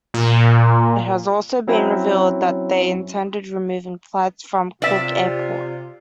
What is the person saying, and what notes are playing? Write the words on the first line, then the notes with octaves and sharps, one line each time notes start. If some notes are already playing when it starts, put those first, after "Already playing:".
It has also been revealed that they intended removing flights from Cork Airport.
A#2
F#3 C4 C#4 E4
C3 F4 D5 E5